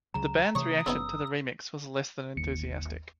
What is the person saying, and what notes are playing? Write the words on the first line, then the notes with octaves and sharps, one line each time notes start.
The band's reaction to the remix was less than enthusiastic.
C#2 C#3 F#3 A#5
C3 E3 A3 C#5 C#6 D#6
F#1 C#3 B3 D#4 E6
G1 D#2 C#7